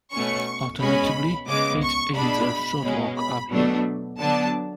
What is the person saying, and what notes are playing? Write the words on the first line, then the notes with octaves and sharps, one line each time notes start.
Alternatively, it is a short walk uphill.
B2 A3 C#4 C#6
B2 G#3 C#4 B5
C#3 G#3 B3 D6
C#6
B2 G#3 D4 B5
B2 G#3 C#4
B5
B2 F#3 A3 D4
D3 F#3 B3 D4 A5